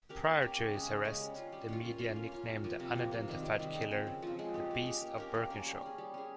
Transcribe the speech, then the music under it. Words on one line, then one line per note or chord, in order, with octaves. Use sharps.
Prior to his arrest, the media nicknamed the unidentified killer "the Beast of Birkenshaw".
C#4 G4 A#4
A#3
C#4 G4 A#4
C#3
G#3 C#4
C#3
G#3 C#4
G3
C#4 F4
G3
C#4 F4
A#3
C#4 F4
A#3
C#4 F4
C3
F3 A#3
C3
F3 A#3
C3
D#3 G3 C4
C3
D#3 G3 C4
C#3
F3 C4
C#3
F3 C4
G#3
C#4 G4
G#3
C#4 G4
A#3
C#4 G4 A#4
A#3
C#4 G4 A#4
G3
C#4 G#4
G3
C#4 G#4